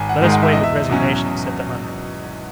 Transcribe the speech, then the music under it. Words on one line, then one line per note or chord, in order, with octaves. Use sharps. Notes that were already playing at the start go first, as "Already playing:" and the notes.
"Let us wait with resignation," said the hunter.
Already playing: G#1 G#5
F#5
G#2 D#3 G#3 D#4
F#5
E5
E2 D#5
E5
B2 F#3 C#4